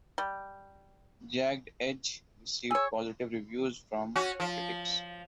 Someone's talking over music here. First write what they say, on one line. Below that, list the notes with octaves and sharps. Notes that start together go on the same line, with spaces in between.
"Jagged Edge" received positive reviews from critics.
G3
G#4 C#5 E6
C#4 F#4
F3